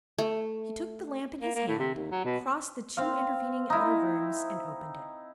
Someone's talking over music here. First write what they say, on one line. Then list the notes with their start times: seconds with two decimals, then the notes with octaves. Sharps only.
He took the lamp in his hand, crossed the two intervening outer rooms, and opened it.
0.18 A3
1.41 A#3
1.55 A#3
1.68 A2
1.79 C3
1.95 D#2
2.11 F#3
2.25 B2
2.97 C4 F5
3.70 D#4 E4